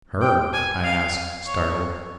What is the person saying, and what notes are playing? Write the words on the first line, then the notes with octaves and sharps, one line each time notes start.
"Her?" I asked, startled.
G5
G#5
F5
C#5